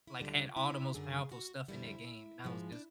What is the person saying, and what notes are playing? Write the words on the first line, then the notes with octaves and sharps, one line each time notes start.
like, had all the most powerful stuff in that game and I was just
E4
D2 D3 G3 F4
E4
F#2 D3 F#3 G#4
F#4
F2 D3 G3 E4
G#2 F3 G#3
D4